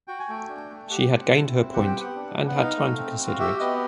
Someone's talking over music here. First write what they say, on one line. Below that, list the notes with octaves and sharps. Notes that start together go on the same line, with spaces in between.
She had gained her point, and had time to consider it.
F#4 G5
G#5
A3 G5
D4
A3
G4 F#5
C4
E4
C4
G4 F#5
G5
B3
F#5
D4
B3
F#5
D#4 F5
A3
C4
F#4
F5
G4 E5
B3 D#5